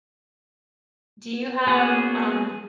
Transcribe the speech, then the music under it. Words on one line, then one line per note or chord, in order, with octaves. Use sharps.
Do you have, um,
A#3 B3 C#4 F#4 G#4